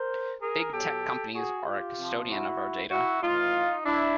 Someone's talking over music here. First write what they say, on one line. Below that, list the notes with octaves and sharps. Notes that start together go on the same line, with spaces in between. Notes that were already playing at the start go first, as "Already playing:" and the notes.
Big tech companies are a custodian of our data.
Already playing: A#4 C5
G#4 A#4
B2 F#3 G4 A4
F#4 G#4
F4 G4
C3 F3
E4 F#4
E4 F#4
A2 E3 D#4 F4
D4 E4